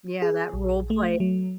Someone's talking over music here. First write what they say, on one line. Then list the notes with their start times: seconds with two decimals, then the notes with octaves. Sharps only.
yeah, that roleplay.
0.22 G#4
0.53 A#1
0.90 A3
1.20 F#3